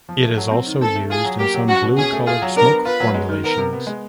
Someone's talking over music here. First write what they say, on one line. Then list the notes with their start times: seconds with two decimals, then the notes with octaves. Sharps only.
It is also used in some blue colored smoke formulations.
0.09 F3
0.23 A3
0.37 F#3
0.51 C4
0.67 D#3
0.81 C4 A4
0.95 A3
1.10 F4 G#4
1.25 F#3
1.39 A#3 G4
1.54 F#3
1.68 C#4 F#4
1.83 B2
1.97 C#4 G#4
2.12 A3
2.27 F4 G#4
2.42 F#3
2.56 D4 A#4
2.71 B3
2.85 F4 B4
3.00 F#3
3.14 G#3
3.29 D#3
3.44 B3 A#4
3.58 C3
3.73 B3
3.87 G#3